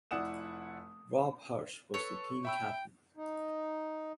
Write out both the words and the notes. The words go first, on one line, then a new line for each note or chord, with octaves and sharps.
Robb Hirsch was the team captain.
F1 E4 D5 F#5 D#6 E7
A4 B4 C#5 C#7
E5 G5 B5 E6
D#4